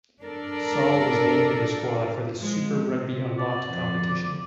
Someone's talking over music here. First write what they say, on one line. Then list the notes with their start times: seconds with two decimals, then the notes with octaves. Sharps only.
Saal was named in the squad for the Super Rugby Unlocked competition.
0.21 D4 A4 A#4 D5
2.39 F3 G#3
2.84 C3
3.39 D5
3.70 F2